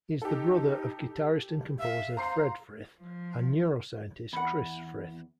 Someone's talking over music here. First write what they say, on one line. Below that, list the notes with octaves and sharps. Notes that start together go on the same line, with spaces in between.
He is the brother of guitarist and composer Fred Frith and neuroscientist Chris Frith.
D#4 G4 A4
E5 F5
C5 A#5 C6 C7
F3
E2 F#5 B5